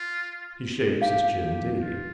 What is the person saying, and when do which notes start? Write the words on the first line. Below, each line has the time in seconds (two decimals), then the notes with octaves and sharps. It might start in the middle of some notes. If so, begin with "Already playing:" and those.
He shaves his chin daily.
Already playing: F4
1.02 G4 F5
1.43 G4
1.82 F4